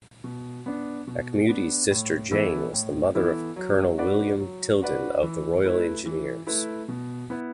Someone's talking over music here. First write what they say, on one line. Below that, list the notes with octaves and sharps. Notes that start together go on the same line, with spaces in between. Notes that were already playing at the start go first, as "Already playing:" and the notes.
Auchmuty's sister Jane was the mother of Colonel William Tylden of the Royal Engineers.
B2
B3 D4
B2
B3 D4
A2
E3 B3 E4 A4
A2
E3 B3 E4 A4
F#3
D4 F#4 B4 D5
F#3
D4 F#4 B4 D5
E3
A3 E4 B4
E3
A3 E4 B4
B2
B3 E4 B4